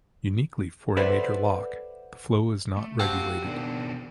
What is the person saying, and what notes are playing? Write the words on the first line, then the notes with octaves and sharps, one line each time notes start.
Uniquely for a major loch, the flow is not regulated.
A4 B4 C5 D5 E5 F#5
A3
C4 F#4 G4 F5 A5
B2 D#3 D4